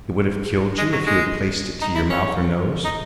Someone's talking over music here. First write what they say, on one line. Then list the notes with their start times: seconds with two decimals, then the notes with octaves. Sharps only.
"It would have killed you if you had placed it to your mouth or nose?"
0.78 G#3
0.93 F#3
1.07 G#3
1.82 D#4
1.95 E4
2.10 C#4
2.84 D#4